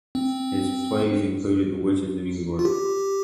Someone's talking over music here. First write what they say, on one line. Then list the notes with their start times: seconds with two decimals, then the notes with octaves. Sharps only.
His plays included "The Witches of New York".
0.15 C4
2.59 F4
2.65 G4